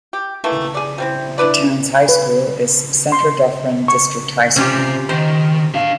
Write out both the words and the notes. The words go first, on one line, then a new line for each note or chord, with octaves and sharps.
The town's high school is Centre Dufferin District High School.
G4
D#3 E3 A3 A#3
G#4 D5
G3 C4 E4
D4 E4 B4 D5
B4
C6
C#6
C3 C#4 F4 G4
D#3 C5
D4 F5